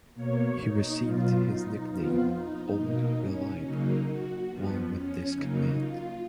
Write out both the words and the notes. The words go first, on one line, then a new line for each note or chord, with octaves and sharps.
He received his nickname, "Old Reliable", while with this command.
B2 A#3 C#5
D#4
B2 F#3 B3 F4
D#4
F2 F3 B3 F4
D#4
B2 A#3 D#4
C#4
C#3 F#3 A#3 D#4
F#4
F2 F3 B3
C#4
C#3 F#3 A#3 D#4
F4